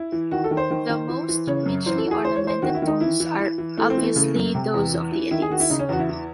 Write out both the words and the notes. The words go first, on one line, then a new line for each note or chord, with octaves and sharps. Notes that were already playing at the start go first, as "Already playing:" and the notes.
The most richly ornamented tombs are abviously those of the elites.
Already playing: E4
E3
D#3 F#4
A4
D#3
C5
D#3
D#3
E3
E3
C#3 C#5
F#2
E3 C5
A4
E3 F#4
G#4
E3 C5
C#5
E3 C5
D#3 F#4
E4
D#3
D#4
E3 E4
E3
E3
E3
E3 A3
C4
E3
A3
C#3 A3
F#2
C3
E2
E3
E3
D#3 E4
G#4
D#3 F#4
E4
C#3 D#4
C#4
E2 F#4
E4
E3